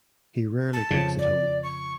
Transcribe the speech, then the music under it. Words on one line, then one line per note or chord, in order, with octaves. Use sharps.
He rarely cooks at home.
A5
F2 C#3
D5
C#6